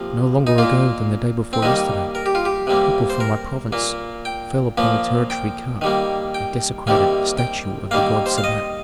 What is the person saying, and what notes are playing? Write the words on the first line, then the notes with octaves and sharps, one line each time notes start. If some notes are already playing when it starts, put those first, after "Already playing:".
No longer ago than the day before yesterday people from my province fell upon the territory Ka and desecrated a statue of the god Sebak.
Already playing: C3 F3 A#3
D#4
A#2 A#3 F4
C4
D#3 G3 A#3 D#4
A#4
G4
F4
G4
C3 G3 A#3
C5
A#4
A#2 A#3
G5
A#2 F3 A#3
G5
D#3 G3 A#3
G5
C3 D#3 G3 A#3
G5
D#3 G3 A#3 F5
C5
F5
D#5